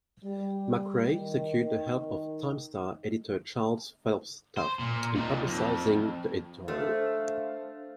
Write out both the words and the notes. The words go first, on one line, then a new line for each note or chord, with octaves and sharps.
McRae secured the help of "Times-Star" editor Charles Phelps Taft in publicizing the editorial.
G3
D#3
C5
A#2
D#2 A#2
F2
A3 D4 C5 F5